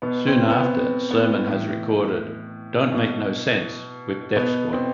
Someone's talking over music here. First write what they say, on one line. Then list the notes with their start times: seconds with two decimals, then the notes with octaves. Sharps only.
Soon after, Sermon has recorded "Don't Make No Sense" with Def Squad.
0.02 B2 B3
0.27 C4
0.50 B3
1.11 B3
1.47 A2 E3
2.92 B2
4.36 B2 B3
4.73 C4